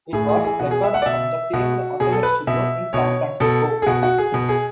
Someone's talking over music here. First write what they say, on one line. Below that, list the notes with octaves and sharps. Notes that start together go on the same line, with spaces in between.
It was recorded at the famed Automatt studio in San Francisco.
A2 G#4
G#4
E3
G#4
B2 F#4
G#4
E5
F#5
D5
B2 E5
B2 F#4
B2 G#4
A4
B4
B2 E5
B2 C#5
B2 A4
G#4
B2 F#4
F#4
G#4
B2
G#4